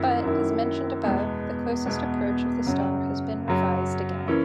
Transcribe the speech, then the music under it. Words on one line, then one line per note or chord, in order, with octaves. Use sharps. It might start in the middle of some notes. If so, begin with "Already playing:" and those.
But, as mentioned above, the closest approach of the star has been revised again.
Already playing: F#2 D#3 A#3 E4
F#2 D#3 A#3 E4
E2 B2 G#3 B3
E2 B2 G#3 B3
F#2 C#3 F#3
F#2 C#3 F#3
E3 A#3 C#4 E4